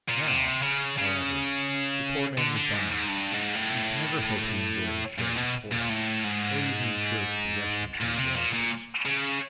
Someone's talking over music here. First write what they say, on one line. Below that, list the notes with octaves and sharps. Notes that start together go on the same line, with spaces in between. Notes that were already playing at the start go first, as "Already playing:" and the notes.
Now, however, the poor man was dying, and could never hope to enjoy his share of the spoil, or even insure its possession to his relatives.
A#2
C3
C#3
C#3
D3
D3
G#2
G#2
G2
G#2
A2
A#2
B2
A#2
A2
G#2
A#2
C3
A#2
A#2
C#3